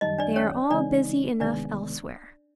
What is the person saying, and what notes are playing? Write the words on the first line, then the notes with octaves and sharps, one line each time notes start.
They are all busy enough elsewhere.
F#2 D#3 G3 D#4 D#5
D4 D5
C#4 C#5
C#3 E3 G#3 C4 D4 D#4 D5
D2 C3 D#3 G#3 B3 D4 D5